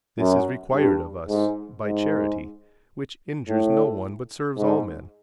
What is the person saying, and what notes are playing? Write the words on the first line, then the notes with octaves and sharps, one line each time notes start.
This is required of us by charity, which injures no one, but serves all men.
F#2
G2
G#2
G#2
A2
G#2